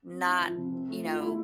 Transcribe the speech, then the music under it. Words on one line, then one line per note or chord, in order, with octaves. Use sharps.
not, you know,
C4
E4
F3
C3
C4
A3
F4
A3 E4